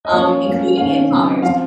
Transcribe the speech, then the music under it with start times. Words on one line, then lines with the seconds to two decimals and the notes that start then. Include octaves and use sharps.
um, including in commerce
0.05 D#5
0.13 F3 A#3 C#4 C#5
0.45 F3 A#3 C#4
0.77 D#3 A#3 C#4 F5
1.10 C#3 F#3 C4
1.42 F3 C4 F5